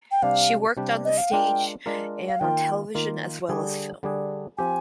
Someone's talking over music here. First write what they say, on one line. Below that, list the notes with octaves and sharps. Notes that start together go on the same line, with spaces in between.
She worked on the stage and on television as well as film.
G5
C3 G3 D4 G4 F5
C3 G3 D4 G4
D#5
F5
G#3 D4 F4 A#4 G5
G#3 D4 F4 A#4
F5
D#3 A#3 F4 G5
D#3 A#3 F4
D3 G3 D4 G#4
D3 G3 D4 G#4
F3 C4 G4 G#5